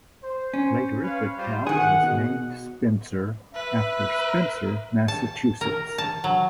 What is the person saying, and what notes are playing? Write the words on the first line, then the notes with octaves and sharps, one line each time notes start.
Later the town was named Spencer, after Spencer, Massachusetts.
C5
C#4
B4 C#5 F5
G3 F4 C5
D#3 G#4 F#5
B2
B4 E5
A5
A#4
A5
F#3